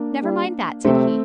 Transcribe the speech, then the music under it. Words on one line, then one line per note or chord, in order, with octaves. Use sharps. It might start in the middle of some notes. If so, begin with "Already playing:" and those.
"Never mind that," said he.
Already playing: A#3 D4
G3
C3 A3 C4